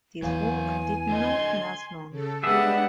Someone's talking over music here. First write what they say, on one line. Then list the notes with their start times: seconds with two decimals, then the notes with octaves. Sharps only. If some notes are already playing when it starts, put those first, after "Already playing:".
This work did not last long.
0.23 E2 E3 F#3 F5 G#5
1.09 D3 D#5 C6 G#6
2.10 C#3 A4
2.43 G3 G#3 B3 D4 G4 G#4 E5 F#5